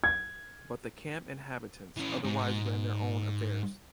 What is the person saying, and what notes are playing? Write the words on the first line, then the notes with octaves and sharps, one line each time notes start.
But the camp inhabitants otherwise ran their own affairs.
G#6
E3 C#4
G#2